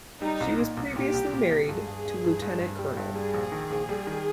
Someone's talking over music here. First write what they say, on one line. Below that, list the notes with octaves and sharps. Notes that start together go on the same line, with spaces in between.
She was previously married to Lt.-Col.
G3 D#4
C2
A#2
C2
A#2 G4
C2
A#2
C2
G2 G#4
G2
G2
G2
G2
G2
G3
G2
G3 G#4
A#1
D#3
A#1
G3
D#3